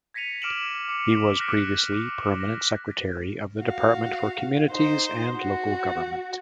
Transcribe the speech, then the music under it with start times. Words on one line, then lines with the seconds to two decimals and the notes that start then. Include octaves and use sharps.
He was previously Permanent Secretary of the Department for Communities and Local Government.
0.14 G#6 A#6 B6 C#7 D#7 F7
0.42 D6 F6 D7 E7 F#7
0.88 D6 C#7
1.39 F6 F#6 A#6 B6 C#7 D7
1.92 D6
2.40 A#6
3.61 F#4 F5
4.71 D#4 C5
5.37 F#4